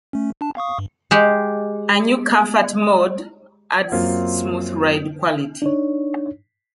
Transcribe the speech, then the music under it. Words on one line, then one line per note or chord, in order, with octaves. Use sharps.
A new "Comfort" mode adds smooth ride quality.
A3 C#4
D4 A5
F5 C#6 D#6
G2
G#3 G4
F#2 A#3 C4 F4
D4 D#4 C#5